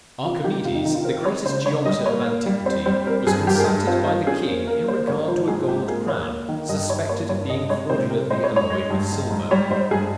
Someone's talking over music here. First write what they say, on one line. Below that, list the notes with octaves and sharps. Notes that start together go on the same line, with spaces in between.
Archimedes, the greatest geometer of antiquity, was consulted by the king in regard to a gold crown suspected of being fraudulently alloyed with silver.
C3 F4
D#3 G4
C3 F4
D#4
D#3 D#4
F4
C4 A#4
G#3 C#5
C#3 C5
G#3 C#5
G3 D#5
A#3 C#5
A#3
G3
C4 C5
G3 C5
C4 A#4
G2 G#4
G2 G4
A#4
G#4
G2
C4 F4
C4 F4
C#4 G#4
A#3
A#3 A#4
A#3 C5
G#2 C#5
F3 C5
G#2 G#4
G#2 G4
A#3 G#4
A#3 C#5
A#3
D#3
G2 D#5
G2 C#5
A#3 C#5
G2 C#5
C3 D#5
G#3 C#5
C3 C5
C3 A#4
G#3 C5
C#5
G#3
C#5
G#3
G2
G#2
G#2
G3 C#5
G#2 C5
G2 G#4